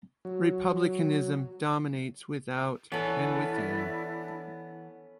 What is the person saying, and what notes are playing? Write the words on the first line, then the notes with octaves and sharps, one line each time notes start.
Republicanism dominates without and within.
F#3
E3 B3 C#4 D4 E4 A4 D5